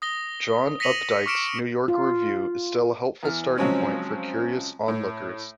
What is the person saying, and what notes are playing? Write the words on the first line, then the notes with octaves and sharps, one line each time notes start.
John Updike's New Yorker review is still a helpful starting point for curious onlookers.
D#6 A#6 G7
A#6 B6 C#7 D#7 F7 F#7
C#6 D6 F6 C#7 D7 E7
F4
E2 E3 F6
C#3 F3 F#3 G#3 C4 C#4
A2